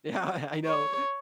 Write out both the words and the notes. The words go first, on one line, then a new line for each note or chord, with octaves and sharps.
Yeah, I I know.
C#5